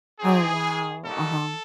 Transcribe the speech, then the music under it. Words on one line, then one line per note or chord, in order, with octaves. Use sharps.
Oh, wow. Uh-huh.
C4 D#4 G4 G#4
G3 A#3 D#4 F#4 A4